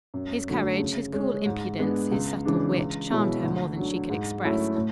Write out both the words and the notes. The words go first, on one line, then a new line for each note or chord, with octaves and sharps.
His courage, his cool impudence, his subtle wit charmed her more than she could express.
F#2
D3 F#3 A3 C#4
C#3
G#3 C#4
G#2
G#3 B3 D4
C#2
C#3 E3 G#3 D4
C#2
B2 G#3 C#4 E4
D2
D3 F#3
G#2
F#3 A3 C#4 E4
A2